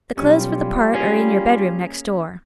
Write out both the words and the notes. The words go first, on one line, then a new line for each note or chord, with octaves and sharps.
The clothes for the part are in your bedroom next door.
B1 G2 G3 C#4 F4 G4
A#3 C#4 G#4